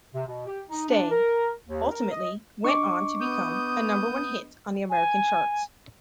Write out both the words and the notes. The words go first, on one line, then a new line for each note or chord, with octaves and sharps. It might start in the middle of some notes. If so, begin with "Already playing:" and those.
"Stay" ultimately went on to become a number one hit on the American charts.
C3
B2
G4
D#4
D4
A#4
D#2
A#4
D#5
D4 D#5 C#6 D6
B3 D#6 G6
G#5